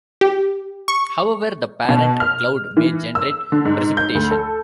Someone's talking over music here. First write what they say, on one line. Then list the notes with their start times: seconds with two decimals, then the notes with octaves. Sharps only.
However, the parent cloud may generate precipitation.
0.21 G4
0.88 C#6
1.89 B2
2.20 F6
2.77 E3
3.15 E6
3.52 D3
3.65 G#2
3.97 G6
4.15 D2
4.31 A4